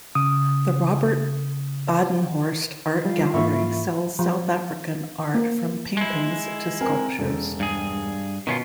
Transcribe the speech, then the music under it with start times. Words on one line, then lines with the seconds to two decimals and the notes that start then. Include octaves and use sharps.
The Robert Badenhorst Art Gallery sells South African art from paintings to sculptures.
0.15 C#3 D#6
3.05 F3 G3 F4
3.34 G#2 E3 A#3 E5 B5 C#6
4.19 F3
5.34 A#3
5.97 G#3 E4
6.81 C4 A#4 G#5
7.19 E1 F#2 A4
7.60 G2 G#4
8.47 B2 D#3 C#4 F4